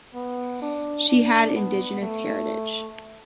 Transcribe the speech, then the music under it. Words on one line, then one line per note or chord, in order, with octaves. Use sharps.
She has indigenous heritage.
B3
D4
D4
B3
A3